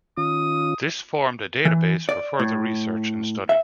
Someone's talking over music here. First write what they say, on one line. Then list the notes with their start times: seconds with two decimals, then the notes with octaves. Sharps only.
This formed a database for further research and study.
0.17 D#3 C#4 F4 D#6
1.65 E3
2.09 D5
2.39 A2
3.49 E5